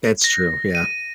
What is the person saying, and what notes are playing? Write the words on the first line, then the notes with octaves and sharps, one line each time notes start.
That's true, yeah.
A#6
D#7